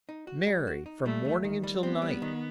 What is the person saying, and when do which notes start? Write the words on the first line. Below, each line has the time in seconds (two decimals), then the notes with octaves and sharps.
Mary!' from morning until night.
0.09 D#4
0.27 F#4
0.47 G3
0.67 F#4
0.86 D#4
1.05 G3 A3
1.25 E2
1.44 D#3
1.63 G3
1.82 B3 C4
2.02 G3
2.22 D#3